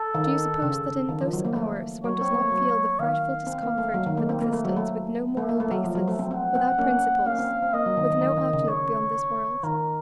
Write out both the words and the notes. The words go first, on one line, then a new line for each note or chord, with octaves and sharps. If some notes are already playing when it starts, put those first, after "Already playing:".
Do you suppose that in those hours one does not feel the frightful discomfort of an existence with no moral basis, without principles, with no outlook beyond this world?
Already playing: A4
D#3
C#3
D#3
F3
F#3
A#3
A3
F#3 C#5
C4
A#3
A3
F#3
D#3 F5
C4
A#3
A3
F#3
D#3
A#3
C4
A#3
A3
F#3
A3
A3
A#3
A3
F#3
F3
F#3
A3
C4
C4 F#5
C4
A#3 C#4
A#3 C#4 F5
C4
C4
A#3 D#5
F#3
D#3
D#3
D#3
D#3
C#3
C#5
D#3 A#4